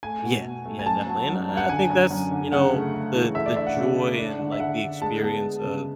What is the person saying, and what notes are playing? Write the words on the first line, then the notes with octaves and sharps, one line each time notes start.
Yeah yeah, definitely, and I I think that's, you know, the the joy and, like, the experience of
A3 G#5
B2
B2
A3
G#5
F#2 A5
F#3
F#2
F#2
F#5
D3 G#5
F#2
F#2
D3
C#3 F#5
A3
A3
E3
A3 E5
D5
D4 E5
F#5
C#3
A3
D4
D3
E5
D3 F#5
D3
G#3 A5
B3
G#3
C#3